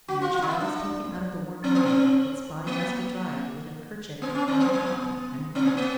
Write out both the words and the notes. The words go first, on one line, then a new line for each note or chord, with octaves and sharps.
When the child is taken out of the warm water, its body must be dried with a kerchief of fine cotton, unhemmed.
F#4
F4
F4
D#4
E4
D4
C4
B3
C4
A#3
B3
C#4
C4
B3
B3
C4
B3
A#3